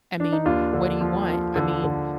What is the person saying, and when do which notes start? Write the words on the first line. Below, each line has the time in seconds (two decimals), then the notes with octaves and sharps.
I mean, what do you want? I mean,
0.20 D4
0.32 D#4
0.45 D#2 D4 F4
0.73 D3
1.01 F3
1.29 F3
1.56 D3
1.84 D3